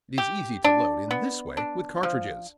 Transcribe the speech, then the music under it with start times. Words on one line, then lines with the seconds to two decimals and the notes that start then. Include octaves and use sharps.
It is easy to load in this way with cartridges.
0.18 G4
0.64 D4
1.11 B3
1.57 D4
2.03 F3